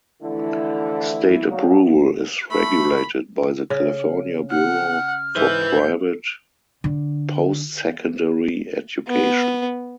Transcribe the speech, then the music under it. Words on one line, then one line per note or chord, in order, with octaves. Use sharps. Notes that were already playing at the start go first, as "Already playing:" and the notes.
State approval is regulated by the California Bureau for Private Postsecondary Education.
D3 E3 F3 A3 E4
F#3 D#4 D5 F5
A3 B5
C#3
F#5 F6
G#2 B4 E5 G6
D3
B3